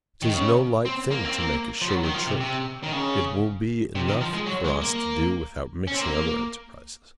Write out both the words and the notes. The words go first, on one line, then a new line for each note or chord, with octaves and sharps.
'Tis no light thing to make a sure retreat; it will be enough for us to do without mixing other enterprises.
D#3
C#3
C4
A#3
C4
A#3
F3
F#3
D#3
F3
C3
C3
D#3
C#3
C3
D#3
F3
G#3
F#3
G#3
A#3
C#4
C4
A#3